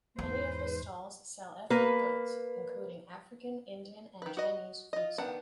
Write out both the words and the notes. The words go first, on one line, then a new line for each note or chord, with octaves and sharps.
Many of the stalls sell ethnic goods, including African, Indian and Chinese foodstuff.
E2 G#2 B4 C5
A#3 B4
D#3 B4
F#4 D#5
F4 D#5
D#3 B3 D4 F#5